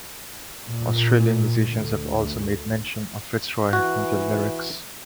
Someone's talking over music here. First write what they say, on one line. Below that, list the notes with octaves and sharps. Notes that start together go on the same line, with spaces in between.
Australian musicians have also made mention of Fitzroy in their lyrics.
A#2
D2
E3 F#4